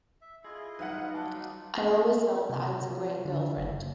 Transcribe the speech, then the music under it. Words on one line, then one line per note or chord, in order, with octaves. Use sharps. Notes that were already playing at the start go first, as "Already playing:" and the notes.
I always felt that I was a great girlfriend.
E5
E4 F4 G#4 D#5
F#3 G3 D#4 B4 F5 F#5
A5 C6 D6
D#4 F4
C3
F3
D3
F#1